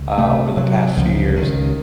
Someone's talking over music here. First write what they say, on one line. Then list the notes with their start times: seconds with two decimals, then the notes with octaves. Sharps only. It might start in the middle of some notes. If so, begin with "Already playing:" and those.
uh, over the past few years,
Already playing: C#2
0.18 C3 A3
0.57 C3 F#3
0.97 C#2 F3
1.36 C#2 D#3